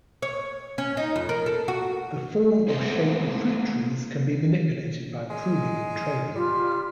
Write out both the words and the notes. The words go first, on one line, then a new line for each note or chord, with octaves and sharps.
The form or shape of fruit trees can be manipulated by pruning and training.
C#5
C#4
D#4
F2
A#4
A4
F#4
G#3 A3 B3 C4 C5
G#3
G3 F4